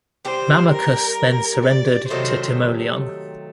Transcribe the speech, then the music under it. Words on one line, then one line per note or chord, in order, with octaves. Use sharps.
Mamercus then surrendered to Timoleon.
G3 C4 G4 C5
A#4
D5
C3 D#3 F#3 A3 C5